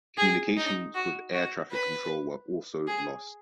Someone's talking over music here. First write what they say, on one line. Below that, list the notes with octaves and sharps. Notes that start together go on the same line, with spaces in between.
Communications with air traffic control were also lost.
G#4
D#4
F#4
F#4
B4
G#4